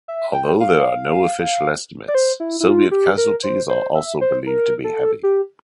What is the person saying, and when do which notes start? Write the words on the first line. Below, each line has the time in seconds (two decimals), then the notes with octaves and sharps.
Although there are no official estimates, Soviet casualties are also believed to be heavy.
0.08 E5
0.34 G5
0.60 F5
2.08 D5
2.15 C5
2.40 E4
2.60 E4
2.66 F4
2.91 G4
3.17 A#4
3.43 C5
3.69 C5
3.95 E5
4.21 C5
4.47 A#4
4.84 A4
5.23 G4